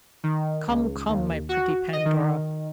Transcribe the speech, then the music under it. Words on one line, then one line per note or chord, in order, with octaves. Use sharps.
Come, come, my pretty Pandora!
D#3
C#2
D#2
F#4
D#5
D#3